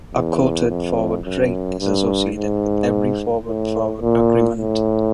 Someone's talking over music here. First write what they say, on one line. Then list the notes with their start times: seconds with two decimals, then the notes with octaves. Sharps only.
A quoted forward rate is associated with every forward-forward agreement.
0.15 E2
0.69 F2
1.25 F#2
1.80 G2
2.36 G#2
3.46 A2
4.01 A#2
4.57 A2